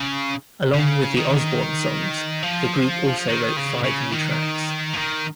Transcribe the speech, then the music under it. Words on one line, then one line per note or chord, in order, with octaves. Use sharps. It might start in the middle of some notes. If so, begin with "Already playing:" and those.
Along with the Osbourne songs, the group also wrote five new tracks.
Already playing: C#3
C#3
D#3
F3
D#3
C#3
C#3
D#3
F3
D#3